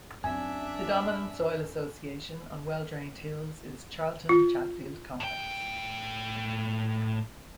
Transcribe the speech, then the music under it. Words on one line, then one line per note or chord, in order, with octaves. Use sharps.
The dominant soil association on well-drained hills is Charlton-Chatfield complex.
F#2 C4 D4 E5 G#5
F4
A2 G5